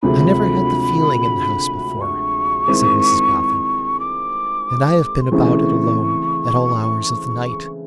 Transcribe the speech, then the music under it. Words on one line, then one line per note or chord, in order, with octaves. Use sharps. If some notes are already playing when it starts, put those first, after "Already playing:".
'I never had the feeling in the house before,' said Mrs Boffin; 'and I have been about it alone at all hours of the night.
D2 C3 F3 G#3 B5
C#6
D#3 G#3 C4 E4
D6
C6
C#3 E3 A3 C4 E4 C#6